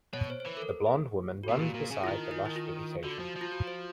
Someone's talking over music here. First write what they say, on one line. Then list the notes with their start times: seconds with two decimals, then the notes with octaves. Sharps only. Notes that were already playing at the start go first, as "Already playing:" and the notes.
The blond woman runs beside the lush vegetation.
0.13 B2 C#5
0.30 C5
0.40 C5
0.46 E3 B4
0.57 A4
0.62 A#4
0.86 G#4
1.43 F#4
1.49 B2 G4
1.59 A#2 G#4
1.74 A#2
1.91 C#3
2.04 F4
2.07 D#3 E4
2.31 D#4
2.46 E4
2.56 F4
3.03 D3 F#4
3.20 F3
3.36 F3
3.41 F4
3.52 F#4
3.67 C5